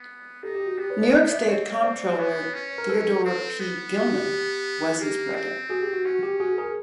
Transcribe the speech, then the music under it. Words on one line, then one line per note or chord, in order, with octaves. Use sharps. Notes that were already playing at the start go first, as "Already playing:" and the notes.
New York State Comptroller Theodore P. Gilman was his brother.
Already playing: B3
D#4 G4 A4
G4
F#4
B3 G4
B4 C#5
C5 D5
D5 E5
C4 C#5 D#5
C5 D5
B3 B4 C#5
C#4
A#4
A4 B4
C4
B3
G4
F#4
G4
G#4
A#3 G4
C4
F#4 G#4
G4
F#4
C#4 F#4
G4
F#4 G#4
G#4 A#4